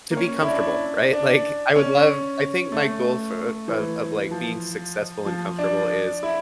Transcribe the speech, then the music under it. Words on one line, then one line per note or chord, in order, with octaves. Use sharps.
to be comfortable, right? Like, I would love I think my goal for of of, like, being successful and comfortable is
A#3
C#4
E4
D4
D4
C#4
A3
E3
F3
F3
D4
E4